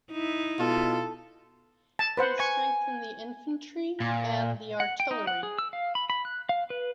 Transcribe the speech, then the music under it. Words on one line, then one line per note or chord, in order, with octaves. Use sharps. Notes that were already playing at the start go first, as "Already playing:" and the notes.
He strengthened the infantry and the artillery.
D#4 E4
B2 F4 A4
A5
B4 C5 F#5
G#5 C#6
A#2
F#5
G5
D#4
F#5
G#4
E6
F5
B5
B5
F#6
F5
B4